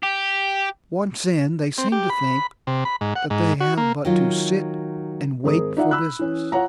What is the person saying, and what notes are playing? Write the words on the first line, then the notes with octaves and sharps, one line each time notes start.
Once in, they seem to think that they have but to 'sit and wait' for business.
G4
C4
G4
B5
C3
B5
G#2
F#5
G#2
F#4
A#3
D#3 F#3 F4
G#1 G#4 A#4 D#6
D#4 F4 D5 E5 F#5
B5 E6 F#6
E3 C#4
F4 C#5 F#5 A#5